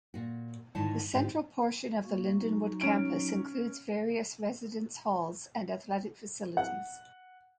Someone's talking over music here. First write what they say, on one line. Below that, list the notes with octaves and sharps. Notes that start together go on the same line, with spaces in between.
The central portion of the Lindenwood campus includes various residence halls and athletic facilities.
A#2 F#4
G#2 D3 D#3 E4 C#5 A5
G#2 D3 C4 G4
A#3 F#4
F#3 D#4 F#4
C#4 D7
F#5